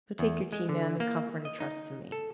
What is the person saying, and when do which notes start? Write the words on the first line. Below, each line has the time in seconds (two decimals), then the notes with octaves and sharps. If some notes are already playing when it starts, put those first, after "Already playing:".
So take your tea, ma'am, in comfort, and trust to me.'
0.19 E2
0.52 G#3
0.69 D3
1.00 A#3
1.45 D#5
1.60 D#4
2.12 A4